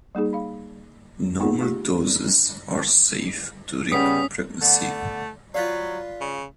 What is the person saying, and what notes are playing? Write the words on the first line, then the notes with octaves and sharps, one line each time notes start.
Normal doses are safe during pregnancy.
G3 A#3 D#4 G#4
F5 B5
A#3 B3 D#4 F4 G#4 F#5
A3 F4 G4
C#3 G3 B3 C#4 D#6 B6
D3 A3 B3
F#3 F4 B4 D5 F5
C#3